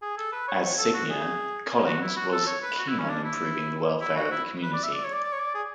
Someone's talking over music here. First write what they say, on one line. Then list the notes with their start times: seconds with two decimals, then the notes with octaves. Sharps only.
As seigneur, Collings was keen on improving the welfare of the community.
0.02 G#4
0.17 A4
0.32 B4
0.48 C#5
0.63 C#5
0.78 A4
0.94 F#4
1.10 G#4
1.86 F#4
2.01 E4
2.17 F#4
2.32 A4
2.47 C#5
2.63 B4
2.79 F#4
2.88 E4
2.99 C#4
3.09 D4
3.24 E4
4.01 E4
4.16 F#4
4.32 E4
4.63 B4
4.73 D5
4.83 E5
4.93 D5
5.04 C#5
5.13 D5
5.24 D5
5.33 C#5
5.40 D5
5.55 G#4